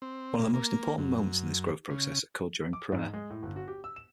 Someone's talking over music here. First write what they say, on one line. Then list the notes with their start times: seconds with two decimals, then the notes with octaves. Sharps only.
One of the most important moments in this growth process occurred during prayer.
0.02 C4
0.39 A#2
0.54 A#3
0.98 F#2
1.90 C#3
2.73 D6
2.92 G#2
3.13 G#3
3.30 A2
3.43 G1
3.56 F#4
3.68 G4
3.84 E6
3.96 E7